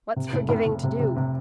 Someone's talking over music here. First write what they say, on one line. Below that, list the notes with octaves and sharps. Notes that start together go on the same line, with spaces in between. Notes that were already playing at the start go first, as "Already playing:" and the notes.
What's forgiving to do?
C3
F1
F1
F1
C3
C3
C3